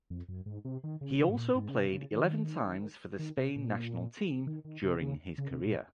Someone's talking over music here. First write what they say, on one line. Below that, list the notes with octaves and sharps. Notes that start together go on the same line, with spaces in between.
He also played eleven times for the Spain national team during his career.
F2
F#2
G#2
C3
D#3
C#3
C#3
G#2
A#2
G#2
C#3
C3
C#3
D#3
D#3
C3
A#2
D#3
D#3
C3
C#3
C#3
C3
A#2